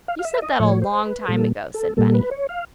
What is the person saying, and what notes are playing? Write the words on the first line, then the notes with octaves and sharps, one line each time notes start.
"You said that a long time ago," said Benny.
F5
F5
E5
D#5
A2 F3 A3 C#5
C5
B4
A#2 G3 A#3 A4
A4
A#2 G3 A#3 A4
B4
C#5
F5